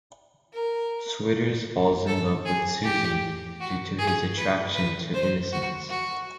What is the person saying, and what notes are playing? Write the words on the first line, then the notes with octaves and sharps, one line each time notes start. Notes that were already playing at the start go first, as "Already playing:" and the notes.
Switters falls in love with Suzy, due to his attraction to innocence.
A#4
A4
G#4
G4
F#4
G#4
B4
B4
C5
F#4
F#4